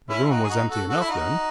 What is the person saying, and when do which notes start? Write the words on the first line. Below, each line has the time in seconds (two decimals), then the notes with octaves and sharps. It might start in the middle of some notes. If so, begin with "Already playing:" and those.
The room was empty enough then.
0.10 C#4 E4
0.23 E4
0.29 D#4 F#4
0.44 G#4
0.49 D#4 F#4
0.69 F#4 A4
0.89 F#4 A4
1.01 E4
1.09 D#4 F#4